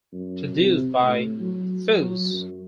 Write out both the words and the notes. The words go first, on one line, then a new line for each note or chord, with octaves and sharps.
Produced by Phuzz!
F#2
C3
A2
F#3
F#3
F#2